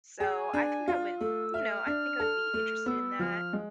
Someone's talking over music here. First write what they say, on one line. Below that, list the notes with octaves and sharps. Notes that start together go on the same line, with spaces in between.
so I think I would you know, I think I would be interested in that,
G#4 G#5
D4
F4
A3 E6
E5 F6
D4
A4
A3
B3 E6
F3 F6
G#3